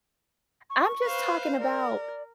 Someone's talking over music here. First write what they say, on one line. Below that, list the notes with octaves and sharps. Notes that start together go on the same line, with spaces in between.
I'm just talking about
C#6
B4 C5 F5
A#4 D5